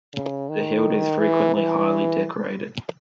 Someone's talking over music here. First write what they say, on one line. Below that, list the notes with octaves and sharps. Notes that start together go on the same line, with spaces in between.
The hilt is frequently highly decorated.
C#3
D#3
E3
E3